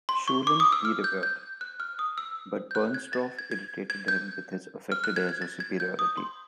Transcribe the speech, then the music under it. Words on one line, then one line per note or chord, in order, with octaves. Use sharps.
Schulin he revered, but Bernstorff irritated him with his affected airs of superiority.
C6
C#6
D6
D#6
E6
F6
G6
G6
F#6
F6
D#6
E6
G6
F#6
G#6
A6
G#6
G#6
G#6
G6
F6
F#6
G#6
G#6
A6
G#6
G6
D#6
C6